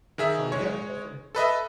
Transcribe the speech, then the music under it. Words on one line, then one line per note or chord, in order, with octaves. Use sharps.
Uh, yeah, the whole thing
D#3 G#4 E5
G#3 C#5
A4 B4 D#5 E5